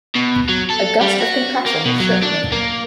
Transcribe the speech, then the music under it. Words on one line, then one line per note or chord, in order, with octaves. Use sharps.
A gust of compassion shook me.
B2
F#3
A4
G3
F#4
A#3
B2
F#3
D4
A#3